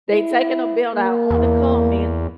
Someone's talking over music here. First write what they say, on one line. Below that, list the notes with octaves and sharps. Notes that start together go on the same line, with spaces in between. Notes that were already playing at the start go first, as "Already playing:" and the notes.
They taking a belt out on the comment,
E4
A#3
E2